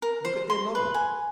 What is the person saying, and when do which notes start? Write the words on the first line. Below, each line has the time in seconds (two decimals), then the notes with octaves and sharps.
Look at their laurels.
0.02 A#4
0.25 C5
0.50 C6
0.75 B4
0.94 G#5